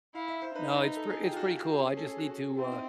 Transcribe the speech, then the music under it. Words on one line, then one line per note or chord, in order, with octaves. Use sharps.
No, it's p it's pretty cool, I just need to, uh,
E4 F5
E5
C5
D#4 B4
A4
G#4
G4
F4
F#4
G4
C#4
G#4
A4
G#4
F#4
C4 E4
D#4